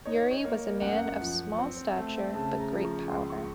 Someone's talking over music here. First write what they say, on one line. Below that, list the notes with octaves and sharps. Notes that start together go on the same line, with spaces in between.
Urey was a man of small stature but great power.
D#4 C#5
C#5
A#3
F#2 F#5
F3
C4
A3
C#3 A5
A#5
F3
C#6
C#2 C6
C#6